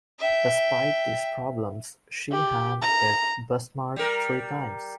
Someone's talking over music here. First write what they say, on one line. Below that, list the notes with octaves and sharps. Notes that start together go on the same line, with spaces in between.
Despite these problems, she had hit "Bismarck" three times.
E5 G5
G4
A#5
G3 A#4